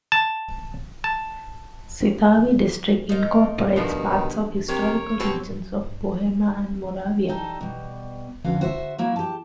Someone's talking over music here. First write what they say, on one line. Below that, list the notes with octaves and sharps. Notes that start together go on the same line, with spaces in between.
Svitavy District incorporates parts of historical regions of Bohemia and Moravia.
A5
A5
D#4 F4 A#4
G2 B2 D#3 F3 B3
C3 A#4 C#5
B2 C4 F#4 G4
G3 D#4 A4 A5
B2 G3
F2 D3 B3 C#4 F#4 F5
F#4 C5 E5
F#3 A#3 E4 F4
G4 A5